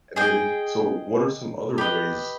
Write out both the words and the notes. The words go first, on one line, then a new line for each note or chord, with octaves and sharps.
And, then, so what are some other ways,
G#4 D#5 G5
G4 B4 D#5